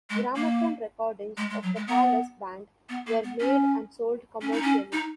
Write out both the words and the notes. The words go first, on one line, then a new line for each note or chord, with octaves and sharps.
Gramophone recordings of the palace band were made and sold commercially.
G#3
A#3
G#3
G#3
F#3
G#3
B3
B3
A#3
B3
C#4
C#4
D#4
C#4
D#4